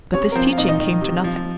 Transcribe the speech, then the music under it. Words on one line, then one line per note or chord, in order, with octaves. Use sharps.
But this teaching came to nothing.
C3 C#4 C#5
A#4
F3 C4 C5
F5
A#2 D#4 D#5
D#4 D#5
D#3
C3
F3